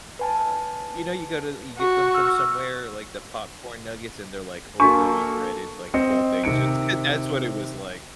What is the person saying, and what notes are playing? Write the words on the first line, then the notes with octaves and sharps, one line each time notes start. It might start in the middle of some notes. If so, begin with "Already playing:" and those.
uh you know, you go to you get them from somewhere, like the popcorn nuggets, they're, like, overly breaded, like, the whole thing's just So, that's what it was like.
B4 G#5 A5
F#4
E6 F6
A#3 D4 F#4 A4 D#5 C#6
C4 D#5 C#7
C3 D#3 C#7 D7